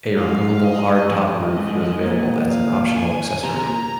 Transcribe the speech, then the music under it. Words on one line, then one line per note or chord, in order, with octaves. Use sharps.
A removable hardtop roof was available as an optional accessory.
G#2 F5
D#5
F2 D#5
G#2
G#2
F2
G#2
A#2
F5
G#5
C3 A#5
C3
A#2